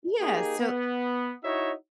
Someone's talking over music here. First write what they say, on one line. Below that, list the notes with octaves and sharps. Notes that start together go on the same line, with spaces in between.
yeah, so
A#3 D#4 G4 G#4
B3
D#4 E4 F#4 C#5 D#5 E5